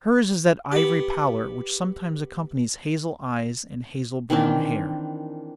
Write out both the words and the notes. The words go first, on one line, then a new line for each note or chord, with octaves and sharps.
Hers is that ivory pallor which sometimes accompanies hazel eyes and hazel-brown hair.
B3 G4
D#3 E3 C4 D4